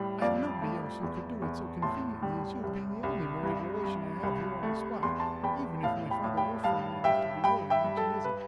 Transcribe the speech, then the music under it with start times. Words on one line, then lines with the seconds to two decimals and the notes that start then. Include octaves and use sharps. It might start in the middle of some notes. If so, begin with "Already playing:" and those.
I have nobody else who could do it so conveniently as you, being the only married relation I have here on the spot, even if my father were friendly enough to be willing, which he isn't.
Already playing: A2 G3
0.21 F2 D5 F5
0.62 A3
1.03 E2
1.42 E2
1.82 A2 A5 C6
2.23 G3
2.63 C2
3.03 C2
3.43 G2
3.83 G2
4.23 C2
4.63 A3
5.03 E2 C6
5.20 A5 C6
5.43 E2 G5 B5
5.83 A2 F5 A5
6.10 G5 B5
6.24 A2
6.37 G5 B5
6.64 G2 F5 A5
7.04 G2 E5 G5
7.44 G2 G5 B5
7.70 E5 G5
7.84 G2
7.97 A4
8.24 B4